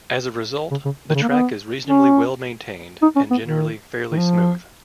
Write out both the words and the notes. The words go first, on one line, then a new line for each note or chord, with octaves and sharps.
As a result, the track is reasonably well maintained and generally fairly smooth.
C#3
C#3
D#3
C#3
A#3
B3
C#4
D#4
C#4
B3
D#3
D#3
F3